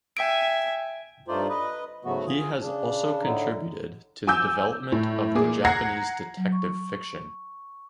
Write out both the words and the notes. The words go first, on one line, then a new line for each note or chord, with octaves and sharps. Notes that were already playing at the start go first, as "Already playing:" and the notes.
He has also contributed to the development of the Japanese detective fiction.
E5 G5 G#5 D7
G2 A3 D#4 F4 C5 D5
B4 D#5
G#2 C#3 F#3 A3 B3 F#4
F4 G#4
C#3 D4
A2 D3 D#4
G#5 D6 E6 G6
A2
A#2 G#4 D6
F#5 A#5 G#6 A#6 C7
F#3
C#6